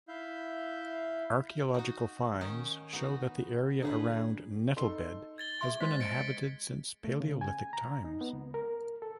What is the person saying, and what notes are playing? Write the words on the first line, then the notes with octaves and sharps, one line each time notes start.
Archaeological finds show that the area around Nettlebed has been inhabited since Palaeolithic times.
E4 E5 F5 G6
D#4 F#4
D#3 C#4 D#4
B3 D#4 F#4
D3 D#4 G#4 B4
D#4 A4 C6
G#6 A6 G7
G#4 E5 C6
G#3 C5 C6 B6
A6 C#7 D7
A3
C#3
G#5
A#5
D#4
B3
C#2
A#4
A4